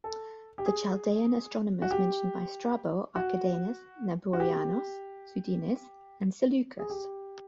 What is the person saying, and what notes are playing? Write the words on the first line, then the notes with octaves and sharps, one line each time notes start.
The "Chaldaean" astronomers mentioned by Strabo are Kidenas, Naburianos, Sudines, and Seleukos.
A4
G4
G#4
F#4
G4
F#4
F#4
G4
G#4
G4